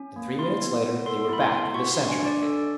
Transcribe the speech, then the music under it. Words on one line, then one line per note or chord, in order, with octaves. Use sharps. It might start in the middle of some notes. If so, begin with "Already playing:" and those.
And three minutes later they were back in the centre again.
Already playing: C#4
A#3
E4 C6
B3
B3
A4 C6
E4 B5
C6
B3
F#4 C#6
C6
D4
G#5
D4
D5
A4